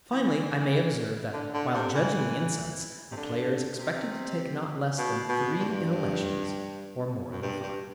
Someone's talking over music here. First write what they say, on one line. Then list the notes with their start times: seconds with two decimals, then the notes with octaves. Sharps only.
Finally I may observe that, while judging the incense, a player is expected to take not less than three inhalations, or more than five.
0.12 E3
1.33 D3
1.54 D3
1.75 C3
1.95 E3
3.11 C3
3.17 D3
3.78 C3
4.98 B2
5.29 B2
5.59 G2
7.31 F#2
7.42 G2
7.62 G2